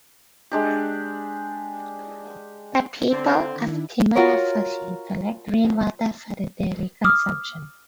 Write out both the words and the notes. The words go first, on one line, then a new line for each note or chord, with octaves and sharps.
The people of Thimarafushi collect rainwater for their daily consumption.
G#3 D4 G4
D3 C4
D#3 D4 E4
F4 F#4 A#4 C#5
D6 D#6 F6